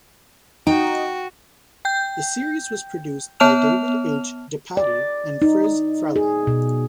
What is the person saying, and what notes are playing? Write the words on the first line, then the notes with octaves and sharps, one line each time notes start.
The series was produced by David H. DePatie and Friz Freleng.
D#4 F#4 G5
G5 G6
B3 C#5 A5 F6 F7
D5
D#4
G#4
B2